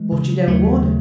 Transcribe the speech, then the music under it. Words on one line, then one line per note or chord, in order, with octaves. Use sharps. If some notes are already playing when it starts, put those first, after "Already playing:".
"But you don't want it!"
Already playing: E3 G#3
C#3
D#2 F#3 A3
C#3